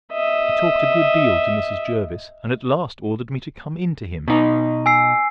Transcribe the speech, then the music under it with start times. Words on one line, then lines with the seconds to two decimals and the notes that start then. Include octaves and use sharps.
He talked a good deal to Mrs. Jervis, and at last ordered me to come in to him.
0.13 D#5 E5
4.28 B2 D#4
4.86 G#5 E6 C7